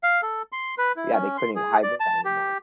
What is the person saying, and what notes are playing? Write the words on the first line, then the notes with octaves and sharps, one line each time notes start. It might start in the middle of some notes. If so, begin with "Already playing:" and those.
Yeah, they couldn't hide this guy anymore.
F5
A4
C6
B4
E4
C#4
C6
G#4
D5
A5
G4